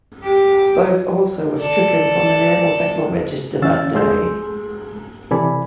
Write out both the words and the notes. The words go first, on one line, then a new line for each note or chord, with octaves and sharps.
Both also were stricken from the Naval Vessel Register that day.
G4
A4 D5
D3 E3 C#4 F5 E6 A6
G#3 G#4 A4 C6 E6 G6
C3 E3 A4 D5 G#5 B5